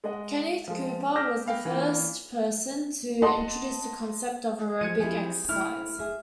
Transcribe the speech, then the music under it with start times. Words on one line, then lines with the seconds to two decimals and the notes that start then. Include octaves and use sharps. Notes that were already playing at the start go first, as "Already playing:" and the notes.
Kenneth Cooper was the first person to introduce the concept of aerobic exercise.
0.04 G#3 D#5 F#5
0.68 F3 G#3
1.15 D6 E6 F6 G6 A#6 B6
1.46 B3 F5 G5
1.65 E3 A#3 F4
3.22 D#5 F#5 A5 C6
4.81 F3 G#3 G#6 C#7 D#7
4.99 F3 C4 E4 G4 G#4
5.49 A3 E4 F6
5.99 A3 G#4 E5